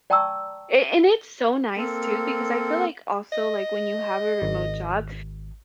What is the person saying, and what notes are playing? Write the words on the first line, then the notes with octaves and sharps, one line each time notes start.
A and it's so nice, too, because I feel like also, like, when you have a remote job,
D5 G5 A5 A#5 C#6 E6
A#3 C4 A4
D#5
G#1